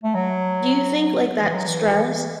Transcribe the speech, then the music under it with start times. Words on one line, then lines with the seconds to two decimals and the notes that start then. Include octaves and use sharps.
Do you think, like, that stress
0.03 A3
0.15 F#3
1.40 E3
1.54 F#3
1.67 E3